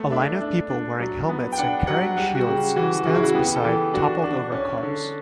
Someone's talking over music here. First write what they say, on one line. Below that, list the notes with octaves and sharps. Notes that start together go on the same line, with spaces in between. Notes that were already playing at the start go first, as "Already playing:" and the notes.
A line of people wearing helmets and carrying shields stands beside toppled over cars.
Already playing: A3 B3
D4 E5
D4
D4
F#3
B3
G5
D4 F#5
F#3 F#5
G3 F#5
F#4
C#3 G4
E3 F#4
C#3 F#4
E4
F#4
B3 G4
A4
E3 G4
D4 F#4
D4
C#4
D3